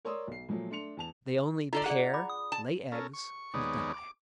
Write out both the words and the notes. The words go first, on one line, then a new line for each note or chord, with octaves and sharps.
They only pair, lay eggs, and die.
A#4 C#5 D5 C6 D#6 E6
B1 C7
A#2 F3 F#3 A3
A3 D4 C6 C#7 F7
E2 A5 F7
D3 F4 A4 D5 A#5
G#4 D5 F#5
B5 D6
D#6
A5
C#4 A4 A#4
C#6
D#2 G#3 B3 D#4 C#5 D5
D6